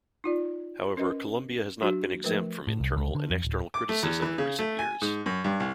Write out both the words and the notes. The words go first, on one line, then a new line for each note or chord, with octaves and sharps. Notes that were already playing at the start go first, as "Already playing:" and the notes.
However, Columbia has not been exempt from internal and external criticism in recent years.
D#4 F4 D5
C#4 A#4 B4 D#5
F#3 D4 F#4
F3 A3 A#4 B4
A2
C2
C#2
D3
F2
D1
D6
A3
E2
E3
C#3
A3
G#5
G#2
F#2
G2
C2